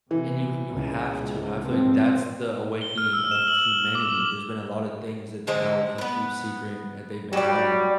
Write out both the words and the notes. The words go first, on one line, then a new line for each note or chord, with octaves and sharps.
And you you have to, and I feel like that's the awakening of humanity. There's been a lotta things that the power can keep secret, and that they've been hiding.
C3 E3
C#2
G#2 F3 C4
G7
F6
E6
E7
F#7
F6
D6
D3 G#3 C4
B3 B4
F#3 G3 D5